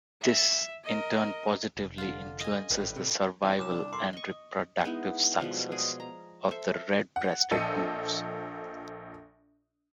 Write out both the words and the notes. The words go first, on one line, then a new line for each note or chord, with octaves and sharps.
This in turn positively influences the survival and reproductive success of the red-breasted goose.
E5
A#4 D#5
F1
D3 F4
D#5 G#5
G#1 A2 G3 B4
C3
C3 E3 D#4
C2 C#4 D6 E7
D4
A4 A#4 B5 C6 D6 C7
D#5 C#6
G#3 B3 D#4 E4
B2 F3 G3 G#3
G#3 G#4 D5
A#5
A4 C5 E5
F#5
A#1 F3 A4 D#5 C#7 D#7